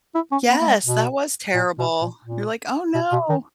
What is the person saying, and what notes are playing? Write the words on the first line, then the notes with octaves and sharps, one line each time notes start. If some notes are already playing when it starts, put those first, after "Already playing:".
Yes. That was terrible. You're like, "Oh, no."
E4
C#4
B3
A#3
G#3
B2
A#2
B2
A#2
A#2
B2
B2
D#3